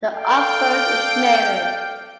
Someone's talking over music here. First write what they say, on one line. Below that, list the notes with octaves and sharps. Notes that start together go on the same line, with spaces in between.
The obverse is mirrored.
A4 D5 F5 G5